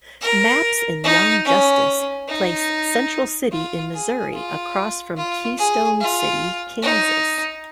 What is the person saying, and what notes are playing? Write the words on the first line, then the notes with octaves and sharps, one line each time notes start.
Maps in Young Justice place Central City in Missouri across from Keystone City, Kansas.
A#4
D#4
C#4
D#4
F4
G#4
F4
F4
G#4
F4
D#4